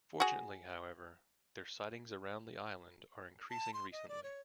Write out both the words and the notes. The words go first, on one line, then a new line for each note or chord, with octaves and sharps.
Fortunately, however, their sightings around the island are increasing recently.
F#4 G#4
A5
C6
D#5
D5
C#5